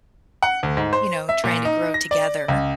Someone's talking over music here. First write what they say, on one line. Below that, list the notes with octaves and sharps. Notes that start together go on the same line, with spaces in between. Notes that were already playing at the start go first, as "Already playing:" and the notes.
you know, trying to grow together,
F#5
D2
G#2
C5
E5
A#2
D#4
A#6
D5
C#2